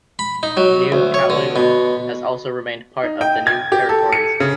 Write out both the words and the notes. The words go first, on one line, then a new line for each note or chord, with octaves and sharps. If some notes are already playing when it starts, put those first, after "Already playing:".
"New Kowloon" has also remained part of the New Territories.
B5
D#4
F#3
D2
C#5
D3
B2
D#4
G5
G#6
G4
A4
C#7
C#3